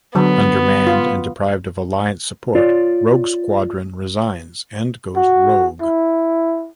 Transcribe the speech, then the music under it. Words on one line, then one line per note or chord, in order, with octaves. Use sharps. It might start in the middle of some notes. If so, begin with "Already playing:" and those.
Undermanned and deprived of Alliance support, Rogue Squadron resigns and goes rogue.
D3 F#3 B3
F4
F4 C#5 D5
F#4
E4